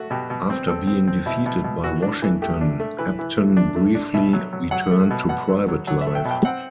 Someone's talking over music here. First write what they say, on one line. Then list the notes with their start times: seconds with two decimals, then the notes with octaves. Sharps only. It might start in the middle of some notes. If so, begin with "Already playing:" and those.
After being defeated by Washington, Epton briefly returned to private life.
Already playing: A3 F#4
0.10 B2 G4
0.30 B2
0.50 C4
0.68 C4 A4
0.87 C4
1.07 C4
1.26 B2 E4
1.46 B2
1.64 B2
1.84 E3 F#4
2.02 D4
2.22 E3
2.42 A3 G4
2.61 D4
2.80 A3
2.98 E3 B4
3.19 E3
3.37 A3
3.57 D4
3.76 A3
3.95 D4
4.14 B2 E5
4.33 F#3
4.53 F#3
4.71 F#3 F#5
4.91 A3
5.10 B2
5.29 B2 F#5
5.49 F#3
5.68 F#3
5.87 F#3 F#5
6.01 E5
6.07 A3
6.15 G5
6.25 B2
6.31 G5
6.45 C4 F#5